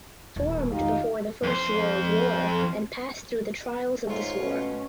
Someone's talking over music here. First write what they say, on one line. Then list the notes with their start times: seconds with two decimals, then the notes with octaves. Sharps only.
Formed before the First World War and passed through the trials of this war.
0.36 D#1 A1
0.72 F2 D#3 D#4 F4 G4
1.43 F2 C5
4.07 G#2 A3 F4 C#5
4.38 B2 C#4